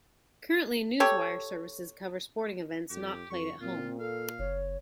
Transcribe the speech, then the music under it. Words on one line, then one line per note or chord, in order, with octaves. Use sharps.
Currently, news wire services cover sporting events not played at home.
G4 A4 C#5
F2 G4
F2 C#6
A#2 C4 F4
A4 F5
F#1 C#5